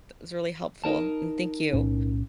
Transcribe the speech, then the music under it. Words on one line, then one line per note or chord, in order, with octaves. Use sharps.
that was really helpful, and thank you
D#4 A#4 A5
B1 A2 C#4